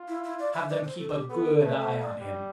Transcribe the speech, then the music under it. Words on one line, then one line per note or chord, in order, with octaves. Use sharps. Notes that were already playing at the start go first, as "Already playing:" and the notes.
Have them keep a good eye on him.
Already playing: F4
E4
E4
D5
E5
D5
C5
A4
A4
G4
B3 A4
A4
A3 B4
C5
D5
G3